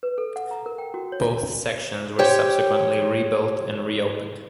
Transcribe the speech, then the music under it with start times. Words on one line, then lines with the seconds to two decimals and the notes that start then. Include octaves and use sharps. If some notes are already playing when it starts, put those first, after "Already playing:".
Both sections were subsequently rebuilt and reopened.
0.03 B4
0.18 A4
0.36 F#5
0.51 A#5
0.66 A#4
0.78 G5
0.94 F#4
1.12 C#5
2.19 G4 C5 C#5 G5